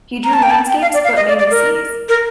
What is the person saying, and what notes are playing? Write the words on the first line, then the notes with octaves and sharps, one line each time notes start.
He drew landscapes but mainly seas.
A#5
A5
G5
A5
G5
F5
D5
F5
D#5
D5
D5
A#4
A#4